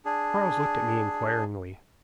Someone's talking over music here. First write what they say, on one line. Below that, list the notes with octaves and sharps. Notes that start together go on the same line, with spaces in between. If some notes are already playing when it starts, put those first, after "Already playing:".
Quarles looked at me inquiringly.
D4 G#4